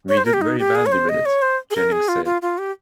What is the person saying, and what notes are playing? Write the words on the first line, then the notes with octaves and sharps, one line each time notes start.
"We did very badly with it," Jennings said.
C#5
C5
A#4
G4
D#4
G4
G#4
C#5
C5
D#5
C#5
C5
G#4
A#4
G#4
F4
F4
F4
G4